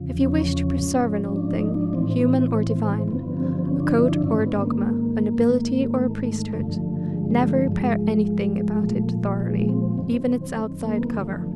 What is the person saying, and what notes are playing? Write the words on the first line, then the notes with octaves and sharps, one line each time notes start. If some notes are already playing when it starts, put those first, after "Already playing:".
If you wish to preserve an old thing, human or divine, a code or a dogma, a nobility or a priesthood, never repair anything about it thoroughly, even its outside cover.
Already playing: E2 C#3 F3
C#4
G#2 F3
C#4
D4
D#4
D4
A2 E3 C4
G2 D3 F3 B3
C4
C#4
D4
E4
D4
G#2 D#3 C#4
B3
B3
A#3
G#2 D#3
A3
A3
G2 D3 F3
G#3
G#3
A3
G#2 F3 G#3
A#2 F3 A3
G#3
C4
F#2 D#3
A#3
B3
A#3
F#2 D3 F3 A3